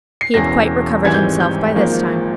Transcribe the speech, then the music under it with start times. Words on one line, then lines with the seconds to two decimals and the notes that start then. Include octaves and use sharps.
He had quite recovered himself by this time.
0.21 C7
0.34 E1 E2 C#3 E3 A#6
1.05 G#1 G#2 E3 G3 C4 G#6
1.14 G6
1.40 G6
1.76 G#1 G#2 F3 A#3